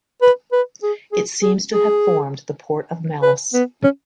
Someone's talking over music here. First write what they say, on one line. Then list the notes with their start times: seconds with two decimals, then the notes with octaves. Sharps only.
It seems to have formed the port of Mallus.
0.22 B4
0.52 B4
0.83 G#4
1.13 G#4
1.42 G#4
1.73 G#4
3.23 B4
3.54 B3
3.84 C#4